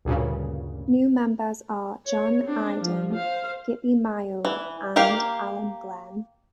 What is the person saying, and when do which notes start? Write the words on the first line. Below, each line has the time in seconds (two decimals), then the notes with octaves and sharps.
New members are John Idan, Gypie Mayo and Alan Glen.
0.05 D2 G2 A#2 C#3
2.06 C#5
2.44 C4 D4
2.80 F3
3.14 C5 F5
4.45 E3
4.96 A#3 G4 A#4 F5